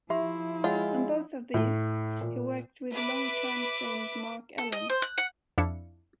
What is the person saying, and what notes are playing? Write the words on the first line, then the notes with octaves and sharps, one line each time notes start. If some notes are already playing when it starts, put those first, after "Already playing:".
On both of these he worked with long term friend Mark Ellen.
F3 E4 G4 E5 C6
G#3 F4 C#5 F#5
A2
A#2
B4 E5 D6
A4
D#5
C5
F#6
F#5
F2 D4 E4 F5 C#7